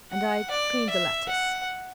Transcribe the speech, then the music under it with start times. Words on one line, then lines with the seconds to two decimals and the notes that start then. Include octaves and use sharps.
And I--cleaned the lettuce.
0.11 F#5
0.51 D5
0.90 E5
1.29 F#5